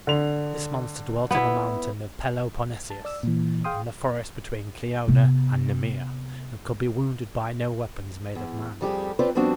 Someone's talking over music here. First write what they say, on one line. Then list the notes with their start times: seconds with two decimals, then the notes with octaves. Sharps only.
This monster dwelt on the mountain of Peloponnesus, in the forest between Kleona and Nemea, and could be wounded by no weapons made of man.
0.07 D3 F7
1.31 B3 E4
2.90 A5
3.05 D5 E6
3.23 A#2 E3
3.64 G#4 F5 G5 C6 D#6
5.08 C3 B3
8.35 E2
8.81 F2 G3 G4 G#4
9.19 C4 F4 B4 C5 D5
9.35 F3 G3 B3 C4 D4 F#4